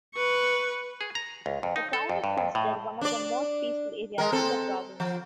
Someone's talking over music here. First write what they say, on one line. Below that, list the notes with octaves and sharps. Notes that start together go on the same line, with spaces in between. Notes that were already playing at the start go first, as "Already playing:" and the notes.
The town is considered one of the most peaceful areas in the province.
B4 C#6
G#4
A#5
C#2
F2
D#4
A4
F2
G2
F2
A2
D4 D5
G#3 A#4
C4 A4
F3